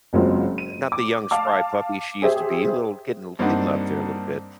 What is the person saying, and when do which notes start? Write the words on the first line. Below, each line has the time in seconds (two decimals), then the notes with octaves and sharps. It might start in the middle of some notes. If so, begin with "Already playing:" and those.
not the young spry puppy, she used to be a little getting getting up there a little bit,
0.13 F#1 F#3 G#3 C4 F4
0.58 D#7
0.92 D6
1.31 F5 A5 D6
2.22 G4 G#4 C5 E5
3.39 G2 A#3 C4 D4 D#4 F#5